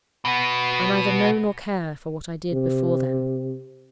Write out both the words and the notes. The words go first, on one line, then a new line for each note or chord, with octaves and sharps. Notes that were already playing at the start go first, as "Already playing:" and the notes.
I neither know nor care for what I did before then.
B2 B3
C3